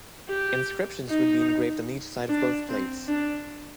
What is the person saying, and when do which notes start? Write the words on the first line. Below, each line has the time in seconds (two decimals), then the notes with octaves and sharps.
Inscriptions would be engraved on each side of both plates.
0.29 G4
1.09 D#4
2.29 D4
2.69 C4
3.08 D4